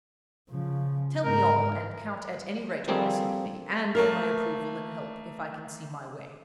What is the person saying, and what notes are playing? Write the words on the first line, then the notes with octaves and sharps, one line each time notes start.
"Tell me all, and count at any rate on my sympathy, and on my approval and help if I can see my way."
C#3 F3
G#2 A#4
F3 G3 A#3 C4 G#4 A4
A3 A#3 A#4 F6